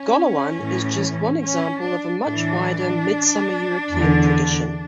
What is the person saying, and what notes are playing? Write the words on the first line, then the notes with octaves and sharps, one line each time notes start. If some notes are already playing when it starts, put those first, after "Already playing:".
Golowan is just one example of a much wider Midsummer European tradition.
Already playing: C#4
A2 E3
C#4
D4
A2 E3 D4
E2 D3